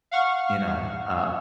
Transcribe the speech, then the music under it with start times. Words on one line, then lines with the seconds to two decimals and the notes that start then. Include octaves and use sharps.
you know, uh
0.11 F5 F#5 C#6 F6